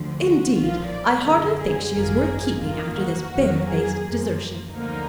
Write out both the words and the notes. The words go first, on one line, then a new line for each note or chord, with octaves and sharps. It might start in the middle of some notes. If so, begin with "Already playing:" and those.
"Indeed I hardly think she is worth keeping after this barefaced desertion."
Already playing: D2 D3 F3
F#4
B1 A#2 F3 F4
D5
F#2 D3 G#3 A#4
G#4
G#1 F#2 D#3 A#3 G#4
F2 D#3 A#3 F4
F#4
F2 D#3 F#3 A#3
G#4
F#2 F3 A#3
D2 D3 F3 A#3 D#4